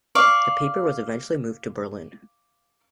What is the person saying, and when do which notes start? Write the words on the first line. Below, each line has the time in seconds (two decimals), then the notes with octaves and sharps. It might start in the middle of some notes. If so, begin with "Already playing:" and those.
The paper was eventually moved to Berlin.
0.15 D5 F5 C#6